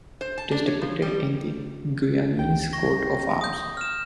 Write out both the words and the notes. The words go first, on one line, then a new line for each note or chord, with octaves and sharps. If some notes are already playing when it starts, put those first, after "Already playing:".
It is depicted in the Guyanese coat of arms.
C5
A5
D4
C#5
F3
G3
C#2 G5
C#6 A#6
D#6 G6
F6 E7